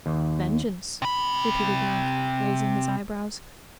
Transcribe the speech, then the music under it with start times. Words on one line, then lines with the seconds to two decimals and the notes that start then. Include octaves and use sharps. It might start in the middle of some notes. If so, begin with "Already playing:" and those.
"Vengeance!" repeated Link, raising his eyebrows.
0.06 D#2
1.02 C3 B5